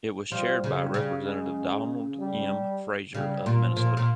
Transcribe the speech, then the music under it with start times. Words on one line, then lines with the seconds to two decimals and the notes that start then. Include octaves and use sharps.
It was chaired by Representative Donald M. Fraser of Minnesota.
0.31 F3 G3
0.64 C#3
0.79 G3
0.94 C#3
1.25 G#3
2.19 G3
3.14 C#3 G3
3.46 A#2
3.61 F3
3.77 A#2
3.97 A#2